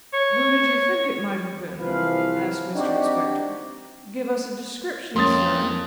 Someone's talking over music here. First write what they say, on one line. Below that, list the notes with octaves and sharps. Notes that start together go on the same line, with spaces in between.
'Who did you think it might have been?' asked Mr Inspector. 'Give us a description, sir.
C#5
C2 E3 F3 B4 F5
C4 D4 D#4 F#4 G4
F2 A#3 C#4 C6 D#6 A6